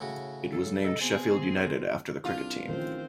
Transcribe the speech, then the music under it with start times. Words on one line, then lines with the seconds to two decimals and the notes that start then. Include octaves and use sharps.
It was named Sheffield United after the cricket team.
0.01 A2 C#3 F#4
0.52 F#3 A4
0.84 A4 D#5
1.01 B3 C4 G#4
2.25 C2 D4 F4
2.69 A1 D#3 F3 C4 C5